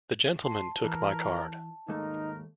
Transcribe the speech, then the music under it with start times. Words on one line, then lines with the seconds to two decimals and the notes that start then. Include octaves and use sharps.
The gentleman took my card.
0.43 A5 C6
0.84 E3 A#4
1.88 D#2 G#2 A3 D#4 A#4